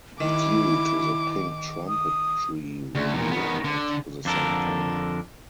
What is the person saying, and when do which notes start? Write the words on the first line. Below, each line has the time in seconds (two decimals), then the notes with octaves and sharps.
Due to the pink trumpet tree will bloom at the same time.
0.20 D#3 E4 D6
1.88 D#6
2.95 D2
3.14 E2 A#2
3.31 D#3 B3
3.65 D3
4.25 F2 D3 A4 A#4